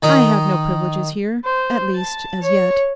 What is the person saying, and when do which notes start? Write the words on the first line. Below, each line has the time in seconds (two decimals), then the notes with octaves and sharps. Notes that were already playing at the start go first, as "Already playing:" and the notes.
'I have no privileges here; at least as yet.'
0.03 D#3 D#4 D#5
1.44 C5
1.95 A5
2.43 C#5